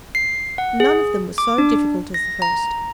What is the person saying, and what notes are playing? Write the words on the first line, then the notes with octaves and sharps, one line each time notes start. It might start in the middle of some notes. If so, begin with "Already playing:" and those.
None of them was so difficult as the first.
C7
F#5
G#4
D6
D4
A#6
A#5